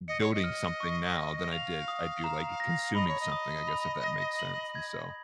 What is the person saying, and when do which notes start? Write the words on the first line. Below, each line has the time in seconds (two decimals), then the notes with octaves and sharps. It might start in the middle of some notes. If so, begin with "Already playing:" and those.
building something now than I did I do, like, consuming something, I guess, if that makes sense. And, so,
0.08 D#5 C#7
0.21 C#5
0.34 D#5
0.44 F6
0.80 C#6
1.16 A#6
1.52 F5 F7
1.88 D#6
2.24 A#5
2.60 A#6
2.95 D#5 B5
3.08 C#5
3.21 D#5
3.32 D#6
3.68 B5
4.03 A#6
4.39 F#7
4.75 G#6